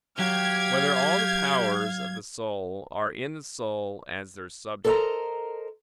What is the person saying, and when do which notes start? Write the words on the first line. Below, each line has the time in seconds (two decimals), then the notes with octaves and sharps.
Whether All the Powers of the Soul Are in the Soul As Their Subject?
0.18 F#3 G4 F5 G#6
4.84 A4 A#4 C5 D5 D#5 A#5